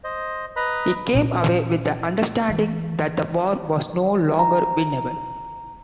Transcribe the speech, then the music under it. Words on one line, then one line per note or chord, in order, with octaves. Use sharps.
He came away with the understanding that the war was no longer winnable.
C5 D#5
B4 D#5 A#5 B5
A#2 C#4
E3
A#5